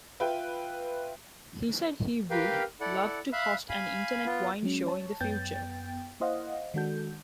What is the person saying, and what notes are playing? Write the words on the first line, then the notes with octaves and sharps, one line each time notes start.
He said he would, love to host an internet wine show in the future.
F4 B4 E5 G5
G4 A#4 B4 F5 G5
E4 A4 D5 F#5
E5 F5 B5 F#6
F5 G#5 B5
B3 F4
F#3 G#3 C#4
C#5 A5
F#2 B3 G5 G6 A6
A#3 E4 C5 D#5 F5 F#5
D#3 G#3 D4 F#4 A4 G6